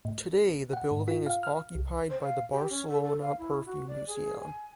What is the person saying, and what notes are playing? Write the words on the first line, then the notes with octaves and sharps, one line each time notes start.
Today the building is occupied by the Barcelona Perfume Museum.
A2
F#5
G#2
F4
F5
F6
C2
C5
F5
G4
C#4
A4
A4
F5
E4
F#4
D5
G#4
G#5